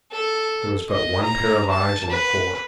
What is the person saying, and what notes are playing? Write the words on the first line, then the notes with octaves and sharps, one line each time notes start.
There was but one pair of eyes in the corps.
A4
D#5
A#5
A5
B4